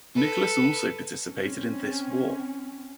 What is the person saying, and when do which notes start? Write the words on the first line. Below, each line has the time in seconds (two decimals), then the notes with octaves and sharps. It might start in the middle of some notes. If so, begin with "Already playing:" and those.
Nicholas also participated in this war.
0.15 A4 B4
1.33 C4 C#4